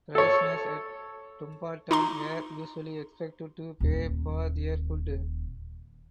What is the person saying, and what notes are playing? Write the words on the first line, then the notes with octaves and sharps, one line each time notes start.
Prisoners at Dumbarton were usually expected to pay for their food.
A4 C#5
D#4 A#5 C6
D#1 D#2